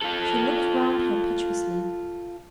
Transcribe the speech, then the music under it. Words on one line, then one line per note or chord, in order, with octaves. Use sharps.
She looked round her piteously.
F4 A4